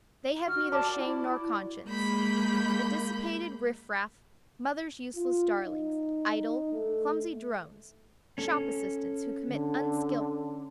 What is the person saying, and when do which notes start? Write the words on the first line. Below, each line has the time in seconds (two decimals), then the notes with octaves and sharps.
They have neither shame nor conscience, a dissipated riff-raff, mothers' useless darlings, idle, clumsy drones, shop assistants who commit unskilful thefts.
0.47 F#4 F6
0.72 D5 A5 D6
0.96 E4
1.85 G#3 A#3 B5 G6
5.15 F4
5.57 D#4
6.72 A3
8.38 C#4 A4
9.47 D3